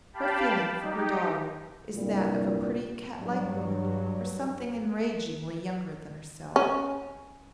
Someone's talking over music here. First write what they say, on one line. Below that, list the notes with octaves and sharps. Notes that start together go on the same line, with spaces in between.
Her feeling for her daughter is that of a pretty cat-like woman for something enragingly younger than herself.
G4 F5 G5 A5 B5
D#4 G4
C2 G2 A#2 G3
G2 F#3
C#4